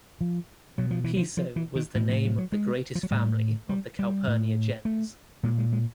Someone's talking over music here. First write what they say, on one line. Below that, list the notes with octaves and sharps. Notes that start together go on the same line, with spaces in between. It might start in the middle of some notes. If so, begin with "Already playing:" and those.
"Piso" was the name of the greatest family of the Calpurnia gens.
F3
B2 F#3
F3
E3
F3
F3
E3
D#3
A2 E3
F3
F#3
F#3
G#3
F3
F#3
A2 G3
G3
G3
A2
A3
A#2 G#3
G#3
G#3